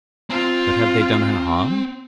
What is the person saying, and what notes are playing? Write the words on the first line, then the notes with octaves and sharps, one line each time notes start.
But have they done her harm?
C4 F4